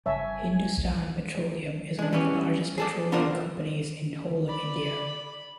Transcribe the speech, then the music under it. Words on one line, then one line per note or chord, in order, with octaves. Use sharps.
Hindustan Petroleum is one of the largest petroleum companies in whole of India.
G1 C#3 G3 C#5 E5 G#5 A5
G#3 D4
E3 G3 B3 C#4
G#4 A4 D5
B3 D4 F4 A#4 C5
D5 B5